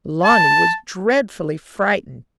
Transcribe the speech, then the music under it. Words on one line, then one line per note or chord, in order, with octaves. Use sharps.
Lonnie was dreadfully frightened.
A5